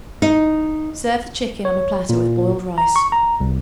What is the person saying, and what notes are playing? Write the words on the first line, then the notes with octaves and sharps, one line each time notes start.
Serve the chicken on a platter with boiled rice.
D#4
C#5
A#2
A#5
C#6
A#5
C2